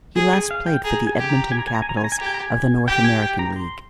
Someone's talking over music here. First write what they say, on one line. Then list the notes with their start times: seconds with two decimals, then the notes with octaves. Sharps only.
He last played for the Edmonton Capitals of the North American League.
0.15 G#4
0.33 G#5
0.51 F5
0.66 G5
0.84 G#4 A#5
1.07 G#5
1.18 G4
1.29 A#5
1.52 G#5
1.59 A#5
1.67 G#5
1.75 A#5
1.82 G#5
1.89 A#5
1.97 G#5
2.04 A#5
2.12 G#5
2.19 G4 A#5
2.26 G#5
2.34 A#5
2.41 G#5
2.87 G4 G5
3.04 G#5
3.22 G5
3.39 A#5
3.56 C6